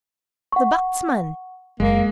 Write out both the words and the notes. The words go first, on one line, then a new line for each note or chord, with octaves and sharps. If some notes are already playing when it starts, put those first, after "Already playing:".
The batsman?
F#5 C#6
F#1 G#3 A#3